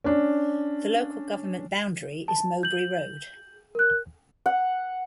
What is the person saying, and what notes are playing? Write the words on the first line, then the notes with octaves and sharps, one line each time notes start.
The Local Government boundary is Mowbray Road.
C#4 D4
A5
G6 F#7
A#4 F#6
F#5